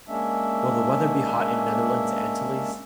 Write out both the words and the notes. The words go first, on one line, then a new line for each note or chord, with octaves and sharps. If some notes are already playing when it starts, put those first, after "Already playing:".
Will the weather be hot in Netherlands Antilles?
G#3 A#3 C#4 D4 E5